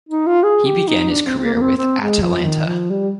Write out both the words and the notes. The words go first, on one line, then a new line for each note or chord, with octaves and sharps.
He began his career with Atalanta.
D#4
F4
G#4
G4
D#4
D4
C4
C4
A#3
A#3
C4
C4
G#3
F3
D#3
F3
G3